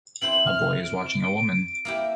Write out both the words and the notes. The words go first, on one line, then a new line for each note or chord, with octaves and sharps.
A boy is watching a woman.
C4 E4 C5 F#7
F6
D7
A#3 E4 G4